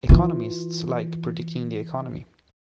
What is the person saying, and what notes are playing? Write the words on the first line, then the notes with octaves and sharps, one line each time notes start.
Economists like predicting the Economy.
E3 F4